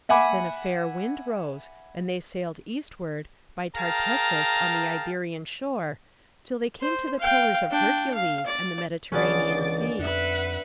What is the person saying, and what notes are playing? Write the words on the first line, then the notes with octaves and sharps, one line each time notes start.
Then a fair wind rose, and they sailed eastward, by Tartessus on the Iberian shore, till they came to the Pillars of Hercules, and the Mediterranean Sea.
E5 F#5 G#5 B5 D6
G#4 A#4 F5 G5 A5 A#5
C5
F5 G5
D4 G5
F5
D5
C#2 D3 E3 B3 C#4 G#4 D6 A6
F2 B4 E5 F#5